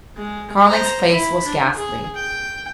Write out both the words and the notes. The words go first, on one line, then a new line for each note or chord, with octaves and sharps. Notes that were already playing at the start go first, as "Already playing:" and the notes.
Carling's face was ghastly.
G#3
C5 A#5
E4 B5
D4
G#4
G5